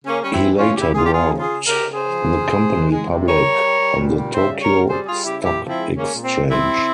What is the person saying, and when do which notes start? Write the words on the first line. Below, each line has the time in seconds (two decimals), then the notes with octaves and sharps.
He later brought the company public on the Tokyo Stock Exchange.
0.04 C#3 A#3 C#4
0.21 G3 C#4
0.32 C4 E4
0.41 E3
0.58 E3 C#4 F4
0.76 C#3 E4 G4
0.94 C#3 F4 G#4
1.05 G4
1.11 F3 F4 G#4
1.30 C#3
1.38 F4 G#4
1.48 C#3
1.66 C#3 G4 A#4
1.84 C#3
1.93 G#4 C5
2.02 F3
2.20 E3
2.37 C3
2.55 C3
2.73 E3
2.91 G#3
3.09 C3
3.26 G3 A#4 C#5
3.45 G3
3.63 G3
3.80 G3
3.98 A#2
4.16 G3
4.34 C#3 C5 E5
4.52 G3
4.61 A#4 C#5
4.70 C#3
4.88 G3 G#4 C5
5.06 G3 F4 G#4
5.23 C#3 E4 G4
5.41 A#2 E4 G4
5.59 F3
5.68 C4 E4
5.77 G#3
5.95 G#3 A#3 C#4
6.13 A#2
6.22 C4
6.32 G#3
6.49 G3 C4 E4
6.67 C#3